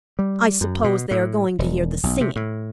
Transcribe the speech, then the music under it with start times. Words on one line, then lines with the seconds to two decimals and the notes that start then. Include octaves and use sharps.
I suppose they are going to hear the singing.
0.19 G3
0.61 F#2
0.84 B2
1.11 A2
1.59 E1
2.03 B1
2.21 C3
2.36 A2